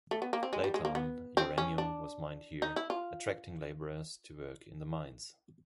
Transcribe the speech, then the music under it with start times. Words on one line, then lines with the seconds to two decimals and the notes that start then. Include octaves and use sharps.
Later on uranium was mined here, attracting laborers to work in the mines.
0.11 A3
0.22 B3
0.33 A#3
0.43 C4
0.53 G#3
0.64 G3
0.74 G#3
0.85 A#3
0.95 B3
1.37 C4
1.58 C#4
1.78 D4
2.62 D#4
2.76 E4
2.90 F4